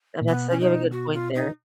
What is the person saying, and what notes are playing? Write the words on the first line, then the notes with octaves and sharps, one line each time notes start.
And that's you have a good point there.
A#2
B2 B3
C#4
D#4
F#4
F4
D#4